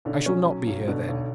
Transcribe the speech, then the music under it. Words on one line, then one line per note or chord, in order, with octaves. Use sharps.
'I shall not be here then.'
B1 D3
C#4
F#3
B1
B2 D3
B1